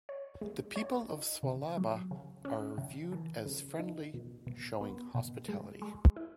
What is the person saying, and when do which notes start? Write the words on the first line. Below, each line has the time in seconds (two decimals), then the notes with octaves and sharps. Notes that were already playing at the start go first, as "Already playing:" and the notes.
The people of Swalaba are viewed as friendly, showing hospitality.
0.09 C#5
0.41 G#3
0.76 C#5
1.10 D#4
1.43 C#3
1.77 F#3
2.11 C#3
2.45 C#4
2.78 C#3
3.12 E3
3.46 C#3
3.79 D#4
4.14 B2
4.47 B2
4.81 B3
5.15 B2
5.48 G#3
5.82 G#3
6.16 E4